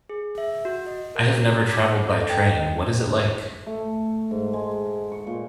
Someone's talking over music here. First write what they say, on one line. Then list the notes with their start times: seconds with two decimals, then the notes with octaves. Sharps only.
I have never traveled by train, what is it like?
0.09 G#4
0.38 E5
0.65 F#4
0.87 D#5
1.15 A#4
1.32 F#4
1.73 D6
2.10 A4
2.30 G5
2.46 D#5
3.67 A3
4.31 G#2
4.53 G#3
5.12 C#6
5.27 A#2